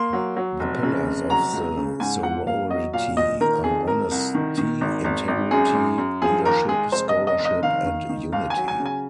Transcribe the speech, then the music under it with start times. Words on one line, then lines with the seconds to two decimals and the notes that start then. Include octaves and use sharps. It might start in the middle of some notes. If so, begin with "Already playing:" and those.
The pillars of the sorority are honesty, integrity, leadership, scholarship and unity.
Already playing: A#3 C6
0.13 F#3
0.36 F#3
0.60 F1
0.83 C#3
1.06 F1
1.30 F#3 A#5
1.53 C#2
1.77 C#3
2.00 G#2 G#5
2.23 F3 F#5
2.46 A#3 F5
2.70 F#3 D#5
2.93 A#2 F5
3.17 A#2 D#5
3.41 D#3 A#4
3.64 F2 G#4
3.87 F2 A#4
4.11 C2
4.35 D#3
4.58 D#3
4.81 G#1
5.04 G#1
5.28 G#1
5.51 F#2 G#4
5.75 F#2
5.98 F#2
6.22 F3 G#4
6.45 D#2 A#4
6.69 G#3 G#4
6.92 F1 C5
7.09 D#5
7.16 F1
7.27 D#5
7.39 F1
7.45 D#5
7.63 D#3 F5
7.86 D#3
8.09 D#3
8.32 D#2 F5
8.50 G#5
8.57 F#3
8.68 G#5
8.79 C#3
8.86 G#5